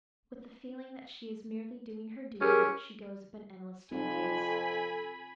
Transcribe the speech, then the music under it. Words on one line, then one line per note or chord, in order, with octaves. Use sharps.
"With the feeling that she is merely doing her duty, she goes up an endless staircase."
C#4 G4 G#4 A#4
F2 C4 D#4 F4 G#5 B5
A4